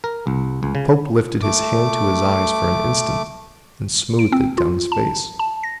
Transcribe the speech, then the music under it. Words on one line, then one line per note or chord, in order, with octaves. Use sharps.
The Pope lifted His hand to His eyes for an instant, then smoothed it down His face.
A#4
C2
C#2
C#3
A3 D6
D7
C4
F4
A5
A5
A#6